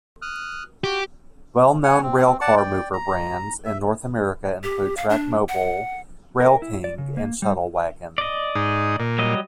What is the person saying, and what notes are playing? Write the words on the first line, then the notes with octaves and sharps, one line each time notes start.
Well-known railcar mover brands in North America include Trackmobile, Rail King and Shuttlewagon.
D#6 F6 F#6
F#4 G4
F#5 G#5
C4
D5 F#5 A5
D5 G5
A#5
E5
G4
F5
D4
F#5
A#4
E4
D5
C#3
A#3
G3
D5 D#5
G#2 D#4
A#2
F#3 G3 D#5